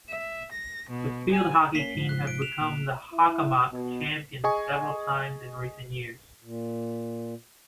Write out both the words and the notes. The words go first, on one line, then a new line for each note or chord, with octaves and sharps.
The field hockey team have been the Hockomock Champions several times in recent years.
E5
A#6
B2
G#5
A#3 C#4 B6 C7 G7
G#2 F3
F#6
D7
D7 E7 F7
A#2
E4
B2
G#4 D#5 G#5 C#6
A#2